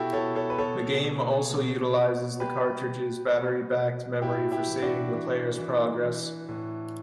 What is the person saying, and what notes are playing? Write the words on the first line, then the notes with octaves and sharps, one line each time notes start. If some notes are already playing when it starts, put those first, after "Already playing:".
The game also utilizes the cartridge's battery-backed memory for saving the player's progress.
Already playing: B2 E4 F#4 G4 A4
B2 A4 C#5
A4 C#5
B4
B2 A4 C#5
B2
B2
B2
B2 G4 B4
B2
B2
B2
A2 E4 G4
E4 G4
E3
D4 F#4
E3
E3
E3
A2